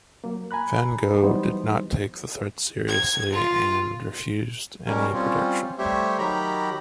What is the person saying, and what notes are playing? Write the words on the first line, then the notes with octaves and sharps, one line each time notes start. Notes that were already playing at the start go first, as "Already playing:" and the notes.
Van Gogh did not take the threats seriously and refused any protection.
F#3 A#3
G#5 A#5 B5 F#6
E3 F#3 G3 B3 D#4 C5
G#6
F4
B2 G3 C#4 A#4
G3 C4 C#4 F4
G3 A3 G4 C5 C#5 E5
D#3 F#3 G4 A#5 B5